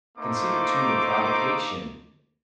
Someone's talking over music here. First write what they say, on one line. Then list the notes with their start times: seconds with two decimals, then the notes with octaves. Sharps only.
Consider, too, the provocation!
0.17 A3 A#3 D#4 C5 D6